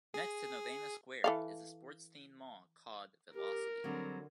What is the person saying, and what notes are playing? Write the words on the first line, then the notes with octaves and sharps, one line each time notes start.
Next to Novena Square is a sports-themed mall called Velocity.
G#4
E3 A4 F5
G4 A#4
D3 F#3 G3 C4